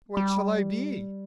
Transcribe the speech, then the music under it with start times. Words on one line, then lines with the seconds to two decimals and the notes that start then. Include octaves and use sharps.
"What shall I be?"
0.17 G3